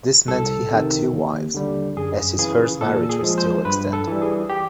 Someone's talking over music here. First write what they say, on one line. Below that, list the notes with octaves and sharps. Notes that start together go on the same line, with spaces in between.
This meant he had two wives, as his first marriage was still extant.
C2 A4
C3 D#3
D#2
D3 G3
F#2 G#4
C#3 E3 G#4
A#2 A4
G#4
F3 G#3
C5
G2 B4
A4
E3 G3
G#4
G4